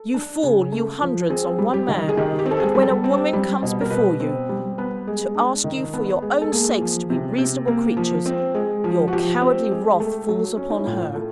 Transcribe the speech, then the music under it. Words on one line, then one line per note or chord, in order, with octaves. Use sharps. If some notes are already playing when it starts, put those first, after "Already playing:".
You fall--you hundreds--on one man; and when a woman comes before you, to ask you for your own sakes to be reasonable creatures, your cowardly wrath falls upon her!
Already playing: A4
D4
C#3
A3
F3
C4 G#4
G3
G4
D#3
G#4
D#3 G4
G4
C4
A4
G#4
G3
A4
C4
G3
B2
A#4
B2 B4
C4
G3
B3 B4
G#3
D4
D#3
B3
G#3
A4
A#3 G#4
F3
C3
C3
A#3
F3
C4
G#3
F3
F#4
F3 G4
C4
G#3
A3
F#3
C#4
D#4
E4
A2 F4
A3